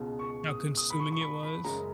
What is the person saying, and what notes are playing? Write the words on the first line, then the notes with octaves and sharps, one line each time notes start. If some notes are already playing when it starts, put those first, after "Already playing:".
How consuming it was?
Already playing: C#2 B2 G#3
C#6
D#6
D#6
B5
C#6
C#6
B5
B5
F#2 C#3 G#3 A#5